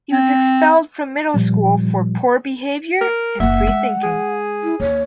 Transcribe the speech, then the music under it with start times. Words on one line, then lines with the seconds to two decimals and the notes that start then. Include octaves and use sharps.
He was expelled from middle school for poor behavior and free-thinking.
0.12 C4
1.34 A#2 F3 G3
3.01 A#4
3.40 F#1 A#3 E5 F#5
3.67 G#3
4.03 G#4
4.63 E4
4.80 D#2 C#5